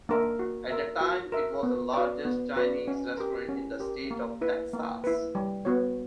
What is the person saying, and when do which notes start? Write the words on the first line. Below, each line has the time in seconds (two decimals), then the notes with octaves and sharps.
At the time it was the largest Chinese restaurant in the state of Texas.
0.09 A#3 D4 A#4 E5
0.39 F#4
0.71 A#4 E5
1.01 F#4
1.32 A#4 E5
1.63 B3
1.94 F#4 B4 D5
2.25 B3
2.56 F#4 B4 D5
2.88 C#4
3.17 G4 A#4
3.49 C#4
3.80 G4 A#4
4.11 A#3
4.41 E4 B4
4.73 A#3
5.04 E4 B4
5.35 G3
5.65 B3 F#4 C#5